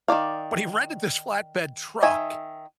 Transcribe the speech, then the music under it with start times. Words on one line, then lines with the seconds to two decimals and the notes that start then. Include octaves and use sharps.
but he rented this flatbed truck
0.08 D#3 F#3 D5 F5
2.03 D#3 D#5 E5 G#5